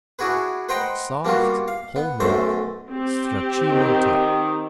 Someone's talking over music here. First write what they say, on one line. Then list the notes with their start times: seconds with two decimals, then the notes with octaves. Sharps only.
Soft, whole-milk, Stracchino type.
0.19 D4 E4 F#4 G#4 B4
0.69 B4 C5 D#5 F#5 G5 A#5
1.25 G3 A#3 B3 D4 F4 F#4
1.68 F5
1.96 B3
2.20 B1 F#2 A3 C5 E5
2.90 C4 G4
3.66 D#3